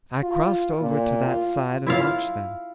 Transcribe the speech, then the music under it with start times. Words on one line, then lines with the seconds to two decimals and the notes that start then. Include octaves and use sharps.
I crossed over to that side and watched them.
0.23 F4
0.81 A#2
1.26 F4
1.87 E4 F4 F5